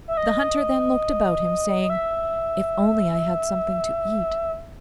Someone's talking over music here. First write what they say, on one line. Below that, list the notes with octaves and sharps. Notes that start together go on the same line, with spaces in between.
The Hunter then looked about him, saying, 'If only I had something to eat!
E5
D#5
D#5
E5